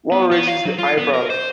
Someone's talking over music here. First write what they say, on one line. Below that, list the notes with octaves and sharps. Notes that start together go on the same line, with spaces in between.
One raises the eyebrows.
B3
B3
F5
F#3
F4
B3
A#4
C5